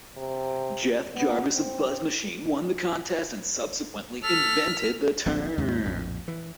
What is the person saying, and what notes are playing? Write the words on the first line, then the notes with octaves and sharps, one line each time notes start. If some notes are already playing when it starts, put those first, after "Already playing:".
Jeff Jarvis of BuzzMachine won the contest and subsequently invented the term.
C3
B3
C4
A4 F6 B6
D1 A#1 C4
D#2 G#2 C3
A#1 F2 A2
E3